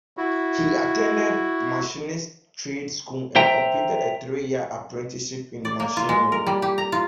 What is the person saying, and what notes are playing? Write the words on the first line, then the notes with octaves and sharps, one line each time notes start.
He attended machinist trade school and completed a three-year apprenticeship in machining.
E4 F#4
C5 E5 G5 A#5
D5
A#3
F4
G#3
A#4
G3
G4
A#5
F4